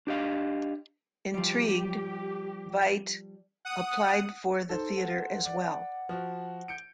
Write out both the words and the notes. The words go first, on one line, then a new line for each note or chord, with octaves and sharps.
Intrigued, Veidt applied for the theatre as well.
D4 G4 D#5 F5
F3 G3 G4
F#5 D#6
D#4 A4 C5
F#5
D5
F3 F#4
G6 C#7 D7